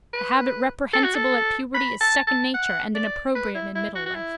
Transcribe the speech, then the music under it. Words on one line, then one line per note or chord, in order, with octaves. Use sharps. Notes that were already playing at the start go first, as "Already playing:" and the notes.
A habit reprehensible at puberty is second nature and an opprobrium in middle life.
B4
A4
F#4
A4
B5
A5
A5
F#5
D5
B4
E4
E4
F#4
F#4
E4